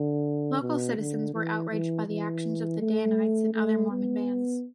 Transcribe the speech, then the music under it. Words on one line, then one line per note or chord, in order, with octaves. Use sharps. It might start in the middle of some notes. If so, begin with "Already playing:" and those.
Local citizens were outraged by the actions of the Danites and other Mormon bands.
Already playing: D3
B2
D3
E3
E3
E3
A3
A3
B3